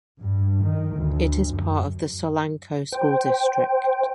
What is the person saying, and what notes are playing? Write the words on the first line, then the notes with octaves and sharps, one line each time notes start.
It is part of the Solanco School District.
G2
D#3
D2
F#2
C5 G5